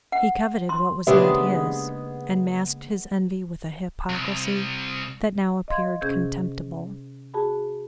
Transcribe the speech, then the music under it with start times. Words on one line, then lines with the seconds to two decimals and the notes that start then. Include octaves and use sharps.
He coveted what was not his, and masked his envy with a hypocrisy that now appeared contemptible.
0.12 F#5
0.69 C6
1.07 C#3 G#3 A#3 B3 D4 G4 C#5 E5
4.09 C2
5.68 D#5 F5 C6 G#6
6.01 C3 C#4 G#4 G6 G#6
7.34 F#4 G#4 A5 B5